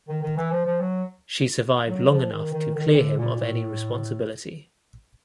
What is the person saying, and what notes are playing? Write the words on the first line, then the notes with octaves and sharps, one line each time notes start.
She survived long enough to clear him of any responsibility.
D#3
D#3
E3
F3
F3
F#3
F#3
F3
D#3
D#3
D#3
D3
A#2
A2